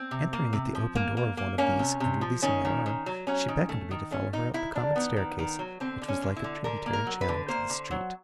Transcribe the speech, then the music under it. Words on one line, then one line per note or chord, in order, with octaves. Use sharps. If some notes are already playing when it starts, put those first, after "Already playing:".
Entering at the open door of one of these, and releasing my arm, she beckoned me to follow her up the common staircase, which was like a tributary channel to the street.
Already playing: C4
C3
A#3
C3
F3
A#3
A#3
A#3
A#3 C#4
C3
C3
F3
D#3 C#4
D#3
D#3
F#3
F#3 C#4
D#3
A3
D#3
A3 C#4
D#3 D#4
D#3 E4
D#3 D4
D#3 B3
D#3
D#3
F#3
D3 C4
D3
C#4
D3
E4
D3
D3 A#4
A#3
A#4
F#3
B4
D3
A#3 C5
D3
F#3